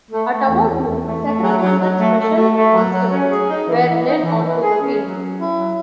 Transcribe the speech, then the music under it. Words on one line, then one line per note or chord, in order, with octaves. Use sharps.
At about noon, several hundred special constables were led onto the field.
A3
A3
E2
E2
E2
A3
A3
F#3
F#3
F#3
A3
A3
A3
A3
F#3
F#3
C#4
G#4
D#4
E3
E3
D#4
E3
E3
G#4
C#4
F#3
C#4
E4
F#3